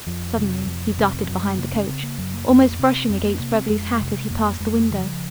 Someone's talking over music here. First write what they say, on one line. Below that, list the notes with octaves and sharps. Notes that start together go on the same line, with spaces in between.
Suddenly he darted behind the coach, almost brushing against Beverly's hat as he passed the window.
F2 F3
C3
F2
C3
F#2 F#3
G#3
C#3 A#3
C#4
C#3 C4
A#3
F#2 F#3
A#3
F2 A#3
C3 C4
F2 C4
A#3
C3 A#3
C4
F2 G#3
C3
F2 A#3
F2 G#3
C#3 F3